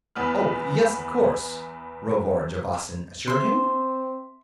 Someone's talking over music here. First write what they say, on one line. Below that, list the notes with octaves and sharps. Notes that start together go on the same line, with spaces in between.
"Oh, yes, of course," Rovard Javasan assured him.
E2 B3 F6
C4 E5 C6